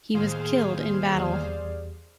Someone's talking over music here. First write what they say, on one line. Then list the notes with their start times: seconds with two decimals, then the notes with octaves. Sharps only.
He was killed in battle.
0.14 D#2 A2 G#4 C5 F5
1.15 E2 G3 D5